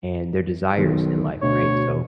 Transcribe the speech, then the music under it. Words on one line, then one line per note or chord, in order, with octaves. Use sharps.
and their desires in life, right, so,
B1 D#3
D2 B2 C#5